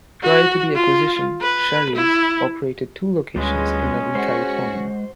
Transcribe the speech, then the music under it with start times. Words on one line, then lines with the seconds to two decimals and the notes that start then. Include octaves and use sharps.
Prior to the acquisition, Shari's operated two locations in Northern California.
0.23 F#4
0.75 F4
1.41 B4
1.95 E4
3.36 D2 G3 G#3 C#4 F4 B4
4.15 G#3 F#4 C5